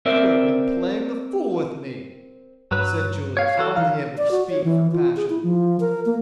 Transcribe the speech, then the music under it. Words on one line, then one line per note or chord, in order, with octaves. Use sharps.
"You have been playing the fool with me," said Julius, hardly able to speak for passion.
C4 A#4 D5 E5
G2 F#3 B4
C#5 F5
E3 F#4 A4
E3 D#4 F5
D5
F#4
C#5
E3
F4
G#4
E4
F3
A#4
A#3